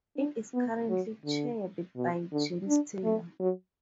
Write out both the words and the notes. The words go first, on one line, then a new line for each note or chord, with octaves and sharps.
It is currently chaired by Jane Taylor.
D4
B3
F#3
D3
B2
D3
D4
A3
F#3